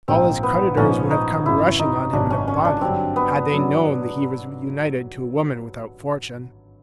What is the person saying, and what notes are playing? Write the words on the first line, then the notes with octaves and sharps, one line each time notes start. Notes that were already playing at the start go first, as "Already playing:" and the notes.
All his creditors would have come rushing on him in a body, had they known that he was united to a woman without fortune.
A#1 G#2 F3 A#3 C4 D#4
B3
A#1 G#2 F3 A#3 C#4 D#4
D#4
G#1 F#2 C#3 E4
D#4
G#1 F#2 C#3 D4
C#4
C#4
D4
G2 D3 F#3 C4
B3
D3 F#3